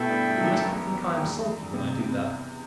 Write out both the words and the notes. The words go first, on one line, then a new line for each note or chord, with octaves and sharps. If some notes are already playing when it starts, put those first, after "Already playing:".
You must not think I am sulky when I do that.
Already playing: B2 A3 B3 E4 A4 E5 G5
G2 G3
G3
F#3
E3
F#2 F#3
D#3
E2 E3
C3
C3